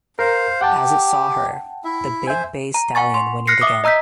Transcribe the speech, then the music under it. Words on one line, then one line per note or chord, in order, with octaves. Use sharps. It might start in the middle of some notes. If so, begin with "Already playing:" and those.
As it saw her, the big bay stallion whinneyed again.
A#4 C5 F5
G4 F#5 G5 A5
E4 E5
C5 E5 G#5
A#5
F#5 G#5 C#6 A6
C6
F6 F#6 A#6 C7 C#7
E5 D6 D#6
D#5 A#5 E6 G6 B6